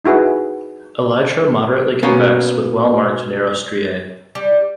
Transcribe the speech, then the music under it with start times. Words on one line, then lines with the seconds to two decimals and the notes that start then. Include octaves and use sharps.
Elytra moderately convex with well marked narrow striae.
0.05 D#4 E4 F#4 G#4 B4
2.03 B2 A#3 C#4
4.35 G3